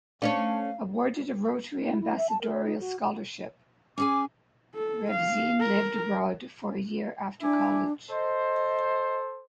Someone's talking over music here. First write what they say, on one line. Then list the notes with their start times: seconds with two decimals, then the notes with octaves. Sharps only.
Awarded a Rotary Ambassadorial Scholarship, Revsine lived abroad for a year after college.
0.22 A3 C#4 D4 C#5 F5
1.87 E4
2.01 E4
2.17 E5
2.29 A5
2.41 A#4
2.53 C#5
2.64 D#4
2.80 F#4
3.98 C#4 G#4 G#5 D6
4.75 A4
5.11 F5
5.60 A#4
7.42 D4 E4 G#5 D6
8.10 A4 C5 D#5